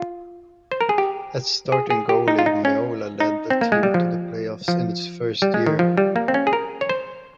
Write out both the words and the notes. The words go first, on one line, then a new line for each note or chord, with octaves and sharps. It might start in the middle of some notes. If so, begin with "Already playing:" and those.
As starting goalie, Meola led the team to the playoffs in its first year.
Already playing: F4
C5
A#4
G#4
G4
G#4
G#4
G4
D#4
F4
D#4
C#4
D#4
C4
A#3
G#3
G3
F3
F3
G3
G#3
D#3
F3
G3
A#3
C4
C#4
G#4
A#4
C#5
C5